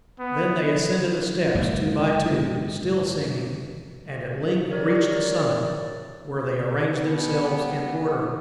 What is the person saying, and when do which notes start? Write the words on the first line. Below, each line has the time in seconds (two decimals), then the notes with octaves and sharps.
Then they ascended the steps, two by two, still singing, and at length reached the summit, where they arranged themselves in order.
0.19 B3
1.55 F#1 G#2 F3 A#3
4.71 G4 A#4 C#5 D5
6.96 B2 G3 B3